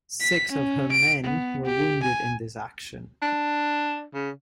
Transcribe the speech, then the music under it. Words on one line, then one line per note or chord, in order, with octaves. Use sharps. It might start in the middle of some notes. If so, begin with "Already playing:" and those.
Six of her men were wounded in this action.
B6
C#4
D7
B3
G4
G#5
D4
C#3